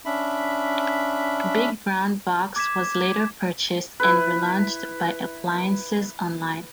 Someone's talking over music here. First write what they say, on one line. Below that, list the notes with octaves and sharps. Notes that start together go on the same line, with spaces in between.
Big Brown Box was later purchased and relaunched by Appliances Online.
C#4 D4 E5 B5
D6 G#6 B6 E7
E4 B4